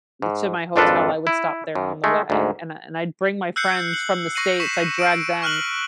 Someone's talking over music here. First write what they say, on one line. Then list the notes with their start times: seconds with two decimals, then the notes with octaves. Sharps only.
to my hotel, I would stop there on the way, and I and I'd bring my friends from the States; I drag them
0.22 G#2
0.76 G#1 F2 D4 F4 A4 B4
1.27 E4
1.75 F#2
2.04 G#3 A3
2.30 D2 G#2
3.56 E6 F#6 G6 C7 C#7
3.93 F#7
4.35 C#6 A#6 C7 C#7 D#7 F#7
4.60 C#6 B6 C#7 E7
4.99 E6 D7
5.42 C#6 F6 F#6 F#7